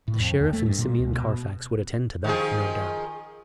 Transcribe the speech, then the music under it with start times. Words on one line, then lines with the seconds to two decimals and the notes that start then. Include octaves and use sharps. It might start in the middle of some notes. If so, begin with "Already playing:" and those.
The Sheriff and Simeon Carfax would attend to that, no doubt.
0.08 A2
0.20 F2
0.40 D#2
0.53 A3
0.66 G2
0.78 A#2
0.99 C#2
1.13 B2
2.24 D#3 F3 G#4